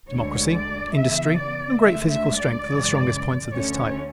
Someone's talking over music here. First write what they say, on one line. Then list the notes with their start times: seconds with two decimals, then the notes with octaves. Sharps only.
Democracy, industry and great physical strength are the strongest points of this type.
0.11 D2 D3 G#3 C#5
0.53 D5
0.96 C#3 E3 B3 E5
1.38 D5
1.81 D2 D3 G#3 E5
2.10 E5
2.38 D5
2.66 F#2 C#3 E3 G#3
3.51 D2 D3 A3 C#4 C#5